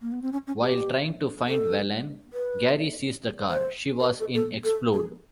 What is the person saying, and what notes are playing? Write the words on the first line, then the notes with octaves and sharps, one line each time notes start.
While trying to find Valene, Gary sees the car she was in explode.
A#3
B3
C4
C#4
C#4
G4
A4
B4
C5
A#4
B4
A4
A4
A4
G#4